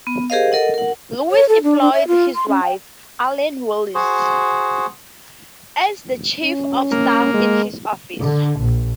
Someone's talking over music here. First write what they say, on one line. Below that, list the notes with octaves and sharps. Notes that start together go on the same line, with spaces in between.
Lewis employed his wife, Arlene Willis, as the chief of staff in his office.
B3
G4 G#4 A#4 C5 D#5 F5
A4 A#4 D#5 F#5
A#4 F#5
C#5
A4
D4
D4
E5
F4
C6
C#4
G5
F#4 G#4 C5
C#4
A#3
G#3
D3
A#1